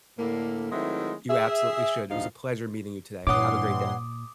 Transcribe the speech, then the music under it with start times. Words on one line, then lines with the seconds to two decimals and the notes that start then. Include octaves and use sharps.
You absolutely should. It was a pleasure meeting you today. Have a great day.
0.19 A2 D3 A#3
0.72 D#3 F#3 G#3 A3 C4 E4
1.29 G#4 E5
2.10 D2 G2 F3 D#4 F5
3.27 G2 A#2 E3 C#5 F#5 C6 D6 D#6